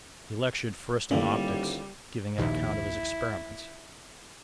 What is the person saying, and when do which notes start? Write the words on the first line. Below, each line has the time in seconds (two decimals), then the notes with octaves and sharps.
He lectured first on optics, giving an account of his experiments.
1.11 D#1 D3 D#3 G3 A3 A#3 C#4 E4
2.38 A#1 D#2 E4